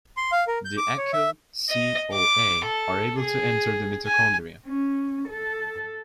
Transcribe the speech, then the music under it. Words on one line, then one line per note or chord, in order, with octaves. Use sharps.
The acyl-CoA are able to enter the mitochondria.
C6
F5
A#4
G6
D6
C#5
E5
D#5
D6
A4
G#4
G#5
C#4
A4